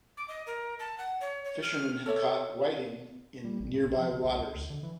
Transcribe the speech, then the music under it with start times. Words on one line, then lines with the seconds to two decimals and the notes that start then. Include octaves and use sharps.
Fishermen have caught whiting in nearby waters.
0.17 D6
0.28 D#5
0.47 A#4
0.79 A5
0.98 F#5
1.21 C#5
1.45 C#5
1.62 F6
2.06 A4 C#5 D5 E5
3.45 G3
3.60 A1
3.74 A2
3.87 A#1
3.98 F3
4.12 C#3
4.24 C2
4.39 C#2
4.54 D2
4.70 D3
4.83 E3